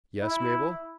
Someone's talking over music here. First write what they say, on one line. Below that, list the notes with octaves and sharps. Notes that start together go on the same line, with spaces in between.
"Yes, Mabel?"
E4